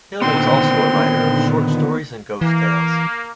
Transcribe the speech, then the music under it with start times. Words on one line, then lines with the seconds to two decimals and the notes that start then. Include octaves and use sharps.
Hill was also a writer of short stories and ghost tales.
0.22 A#2 D3 D#3 B3 C4 C5 C6
2.41 E3 A#3